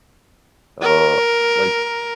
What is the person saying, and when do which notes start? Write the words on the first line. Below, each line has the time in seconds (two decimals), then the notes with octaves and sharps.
Uh, like
0.82 A#4